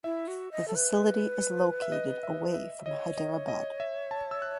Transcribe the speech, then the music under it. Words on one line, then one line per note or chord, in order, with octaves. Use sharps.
The facility is located away from Hyderabad.
E4 E5
F#4
D#5
A4
B4
E5
D#5
E5
E5
C#5 D#5
D#5
D#5
E5
A5
E6
F#6